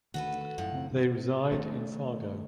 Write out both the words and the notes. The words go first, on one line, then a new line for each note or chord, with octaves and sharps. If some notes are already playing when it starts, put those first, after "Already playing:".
They reside in Fargo.
D2 D#3 F#4 A4 B4
F#2 A2 F3 F#5
C#3 C4
G2 B2 D#3
D#3 A3